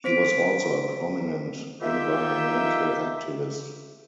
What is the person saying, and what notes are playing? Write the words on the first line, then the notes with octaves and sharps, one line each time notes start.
He was also a prominent environmental activist.
C4 C5 B6 D7
G#3 A#3 D#4 F4 G4 E5